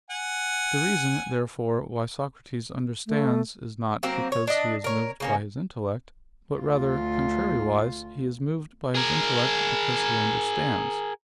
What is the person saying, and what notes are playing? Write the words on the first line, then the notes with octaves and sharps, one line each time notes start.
The reason therefore why Socrates understands is not because he is moved by his intellect, but rather, contrariwise, he is moved by his intellect because he understands.
F#5 G#5
A3
F#3 A#3 C4
C#5
D4 D#5
A#4 C#5
C#3 A#3 C#4
D2 F4
G#4 A#4